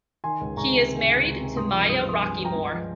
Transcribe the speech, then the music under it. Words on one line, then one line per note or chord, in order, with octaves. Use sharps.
He is married to Maya Rockeymoore.
D#3 G#5 C6
C#2
C#2 A#5 C#6
C3
D#3
C#2
C#2
C3
G2 C6 D#6
F3
G2 D#6
F6
F3 C6 D#6
G2 G#5 C6
F3
G5 A#5
G2
D#5
F3